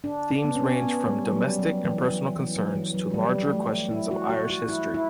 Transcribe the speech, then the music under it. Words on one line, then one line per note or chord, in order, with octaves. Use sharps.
Themes range from domestic and personal concerns to larger questions of Irish history.
D4
D4
B3
C#4
B3
G3
G3
F#3
F#3
E3
F#3
E3
F#3
E3
F#3
G3
A3
E4
F#4
F#4
F#4
E4
E4